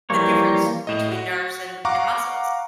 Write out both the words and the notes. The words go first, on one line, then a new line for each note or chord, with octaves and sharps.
the difference between nerves and and muscles.
E3 F3 G3 A#3 C#5
A2 D#5
F#4
F5 F#5 A#5 C#6 D6